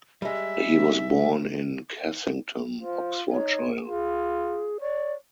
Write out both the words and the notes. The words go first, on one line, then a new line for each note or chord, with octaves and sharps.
He was born in Cassington, Oxfordshire.
G3 G#3 E5
F4 C5
D#4 C#5
F4 G#4
C#5 D5